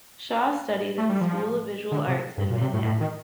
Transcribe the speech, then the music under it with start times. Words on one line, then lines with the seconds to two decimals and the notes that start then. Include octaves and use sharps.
Shaw studied at the School of Visual Arts in Manhattan.
0.98 A3
1.09 G3
1.21 F3
1.92 D3
2.07 C3
2.38 G2
2.50 A#2
2.61 C3
2.73 A2
2.84 A2
3.00 D#3